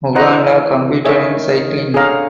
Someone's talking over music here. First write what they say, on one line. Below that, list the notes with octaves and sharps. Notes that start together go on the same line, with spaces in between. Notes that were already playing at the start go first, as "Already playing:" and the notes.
Uganda competed in cycling.
E3 C5 D#5 F#5 A#5
D#3 G#4 C#5 E5
D3 G#4 C#5 F5 A#5